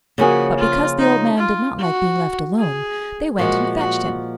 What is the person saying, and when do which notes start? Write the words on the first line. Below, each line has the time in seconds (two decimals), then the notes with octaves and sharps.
But because the old man did not like being left alone, they went and fetched him.
0.18 C#3 F3 A#3 C#4 F#4 G#4
0.58 F4
0.98 D#4
1.37 F4
1.78 F#4
2.59 G#4
3.38 A#2 F3 G#3 F#4
3.78 F#4